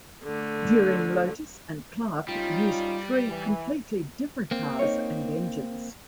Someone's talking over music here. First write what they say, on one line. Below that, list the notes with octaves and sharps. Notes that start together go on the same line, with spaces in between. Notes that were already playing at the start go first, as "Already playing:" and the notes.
During Lotus and Clark used three completely different cars and engines.
D3 A3
G3 C#4 D#4 F4
E3
A#3 C4
D#4 C#5